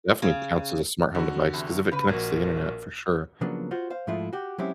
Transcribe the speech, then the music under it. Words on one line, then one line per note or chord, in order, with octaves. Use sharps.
Definitely counts as a smart home device 'cause if it connects to the internet, for sure,
C#3
F2 D3 F#4
E2 C3
C#3 B4
A#1 A#3 F#4 A#4
C#3 F3 F#3 A#3 B3 D4
F4 F#4 C5
C5 F5
G#2 F3 G#3 A3 E4 F4
F#4 G4
F#3 G#3 C4 C#4 E4 G4